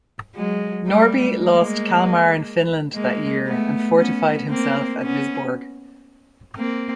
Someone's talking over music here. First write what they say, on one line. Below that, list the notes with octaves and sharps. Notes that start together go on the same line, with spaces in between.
Norby lost Kalmar and Finland that year, and fortified himself at Visborg.
F#3 G#3
G3 A3
G#3 A#3
G#3 A#3
A3 B3
B3 C#4
A#3 C4
B3 C#4
A#3 C4